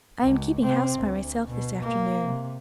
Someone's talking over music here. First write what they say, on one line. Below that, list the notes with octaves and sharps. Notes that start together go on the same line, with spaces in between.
I am keeping house by myself this afternoon.
C#2
C3 C4
D2
B2
A#3
C3